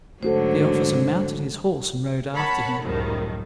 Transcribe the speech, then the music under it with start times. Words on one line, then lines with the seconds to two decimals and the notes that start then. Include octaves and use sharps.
The officer mounted his horse and rode after him.
0.23 G#2 D3 F#3 A3 F#4 A4 C5
2.35 A#4 C#5 F#5 A5 B5
2.83 C#2 F#2 A2 D#3 F3 G3